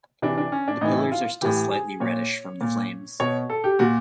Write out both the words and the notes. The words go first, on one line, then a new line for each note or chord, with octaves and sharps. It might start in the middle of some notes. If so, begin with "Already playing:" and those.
The pillars are still slightly reddish from the flames.
C3 E3 D4
D4
C#4
D4
A2 E3 D#4
E4
F4
A2 E3 G4
G#4
A#2 C#5
A#2
B2 C#5
A4
G4
A#2 F#4